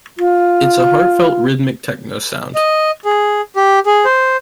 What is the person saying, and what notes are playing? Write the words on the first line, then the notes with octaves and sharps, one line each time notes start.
It's a heart-felt rhythmic techno sound.
F4
D#5
G#4
G4
G#4
C5